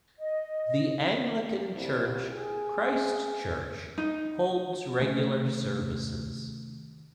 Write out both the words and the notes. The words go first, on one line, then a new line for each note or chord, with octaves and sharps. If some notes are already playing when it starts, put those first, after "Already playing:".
The Anglican church, "Christ Church" holds regular services.
D#5
C2
G#4
D#4
C3 D#3 A3 C#4